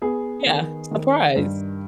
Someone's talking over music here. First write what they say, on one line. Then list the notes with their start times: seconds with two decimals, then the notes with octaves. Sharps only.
Yeah, surprise.
0.02 B3 G#4
0.46 D#3
0.91 D#3
1.36 G2